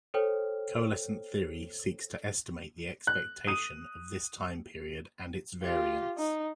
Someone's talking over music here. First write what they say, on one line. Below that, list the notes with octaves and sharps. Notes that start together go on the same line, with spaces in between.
Coalescent theory seeks to estimate the expectation of this time period and its variance.
A4 C5 C#5 G5 F6
F#6
D#6 D#7
F4 G4
D#4